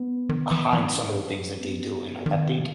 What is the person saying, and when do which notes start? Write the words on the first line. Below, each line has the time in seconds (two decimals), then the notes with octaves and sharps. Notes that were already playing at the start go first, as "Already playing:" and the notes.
behind some of the things that they do, and I I think
Already playing: B3
0.29 D#3
0.51 E3
0.73 E3
0.95 C#4
1.60 B3
2.26 D#3